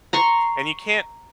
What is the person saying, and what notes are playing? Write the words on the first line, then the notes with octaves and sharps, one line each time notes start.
And you can't
A#5 C6 C#6